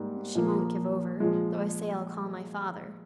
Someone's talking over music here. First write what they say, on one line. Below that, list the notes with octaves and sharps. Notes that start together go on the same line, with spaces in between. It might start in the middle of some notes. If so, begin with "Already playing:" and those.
And she won't give over, though I say I'll call my father.
Already playing: G#2 G3 A#3
A#2 F3 A#3
A#2 F3 G#3